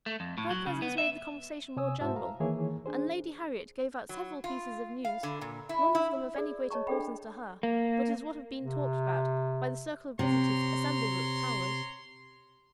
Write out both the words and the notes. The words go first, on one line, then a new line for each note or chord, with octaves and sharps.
Her presence made the conversation more general, and Lady Harriet gave out several pieces of news, none of them of any great importance to her, but as what had been talked about by the circle of visitors assembled at the Towers.
A3
F2
A2
F#3
C#3
B3
E5
C3 C#5 G#5 D#6 E6
G#2 E4 F#4 C5 E5 A5
F5 A#5
D#3 E3 A#3 E4 G#4 C#5
D4 G#4 C5
F#3
F4
F5
D3
A#2
E4
E4
G#4 D5
C#5 D#5 A5 A#5 C#6
D4 G#4 A4 G5 B5
A#3
C3
C3 C#5 A#5 C6